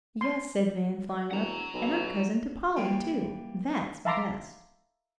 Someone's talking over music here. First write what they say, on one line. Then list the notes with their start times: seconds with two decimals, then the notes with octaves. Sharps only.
"Yes," said Van, flying up, "and I'm cousin to Polly, too--that's best!"
0.21 C6
1.31 E1 F#5 A#5
1.74 B1
2.76 E3 G3 A#3 G4
4.05 E5 F5 A5 A#5 C6 D6